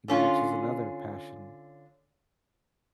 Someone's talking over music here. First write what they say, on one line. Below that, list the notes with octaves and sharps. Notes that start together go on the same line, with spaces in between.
you know, which is another passion
D3 C#4 F4